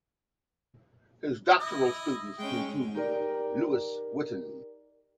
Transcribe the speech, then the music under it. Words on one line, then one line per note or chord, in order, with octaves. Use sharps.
His doctoral students include Louis Witten.
E4 D#5
G#3 C#4 G5
D#4 G4 A#4 D5